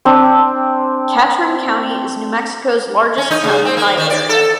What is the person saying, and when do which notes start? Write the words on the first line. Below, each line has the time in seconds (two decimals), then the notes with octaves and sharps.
Catron County is New Mexico's largest county by area.
0.05 C4 D4
3.18 C#4
3.31 D#4
3.44 C#3
3.65 C4
3.77 A#3
3.98 D#3
4.10 D5
4.29 A4